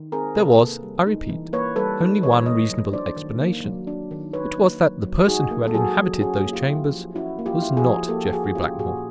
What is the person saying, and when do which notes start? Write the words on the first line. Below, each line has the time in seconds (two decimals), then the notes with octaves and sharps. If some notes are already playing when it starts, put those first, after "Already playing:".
There was, I repeat, only one reasonable explanation; which was that the person who had inhabited those chambers was not Jeffrey Blackmore.
Already playing: D#3
0.12 C4 G#4 A#4
0.35 C3 A4 B4
0.59 A#3
0.83 G3
1.07 D#4
1.29 E3
1.53 A#3 B4 C#5
1.76 G3 A4 B4
1.99 D#4
2.23 E3 B4 C#5
2.46 A#3 C#5 D#5
2.70 F#3
2.93 D4 C5 D5
3.17 D#3
3.41 A#3
3.64 F#3
3.87 D4
4.11 D#3
4.33 D#4 B4 C#5
4.58 A#3
4.81 F#3
5.04 F#3
5.27 D#4 F#4 G#4
5.51 A#3
5.67 A4
5.74 F#3 F#4 G#4
5.98 F#3
6.21 C#4 F#4 G#4
6.45 A#3
6.53 F4 G4
6.69 E4
6.91 F3
7.15 C#4 E4 F#4
7.39 A#3
7.46 F4 G4
7.62 E4
7.77 F#4 G#4
7.85 F3
8.09 A#3 G4 A4
8.32 F3 F#4 G#4
8.44 G#4
8.55 C#4 F4 G4
8.79 A#2 F#4 G#4